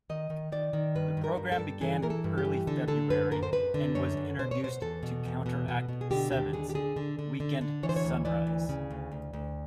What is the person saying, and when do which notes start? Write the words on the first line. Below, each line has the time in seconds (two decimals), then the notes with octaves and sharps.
The program began in early February, and was introduced to counteract Seven's "Weekend Sunrise".
0.10 D#3 D#5
0.30 D#3
0.52 D#3 D5
0.73 D#3
0.95 G2 B4
1.17 G2
1.24 A#4
1.37 G2
1.52 A4
1.59 G2
1.81 E3 G#4
2.02 E3 A#4
2.10 A4
2.24 G2
2.38 G4
2.45 E3
2.67 D3 A4
2.88 D3 A4
3.10 F#2 B4
3.31 F#2 A#4
3.43 C5
3.52 F#2 B4
3.74 D3
3.95 F#2 C#5
4.17 F#2
4.39 B2 C5
4.51 C#5
4.61 B2 C5
4.81 E2 A4
5.03 B2
5.25 E2
5.46 B2
5.68 B2
5.89 B2
6.01 G#4
6.11 D3 G4
6.31 D#2 G4
6.53 D3 G#4
6.70 G4
6.74 D3 G#4
6.96 D3
7.19 D3
7.40 D3
7.61 D3
7.83 E3 C#5
7.89 C5
7.96 C#5
8.04 D2
8.25 E3 D5
8.47 D2
8.69 C#3
8.90 D2
9.12 D2
9.33 D2